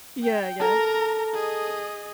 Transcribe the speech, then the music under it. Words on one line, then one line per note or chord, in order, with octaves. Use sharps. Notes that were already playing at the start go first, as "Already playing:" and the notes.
Yeah, yeah.
G5
A4 A#4 A5 A#5
G#4 D#5